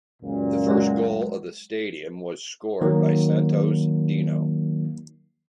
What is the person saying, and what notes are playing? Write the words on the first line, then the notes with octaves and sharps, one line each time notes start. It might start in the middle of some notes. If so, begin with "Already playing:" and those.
The first goal of the stadium was scored by Santos' Dino.
C#2 F#2 A#2
F#3 G#3 F#4
D#3 F#3 A#3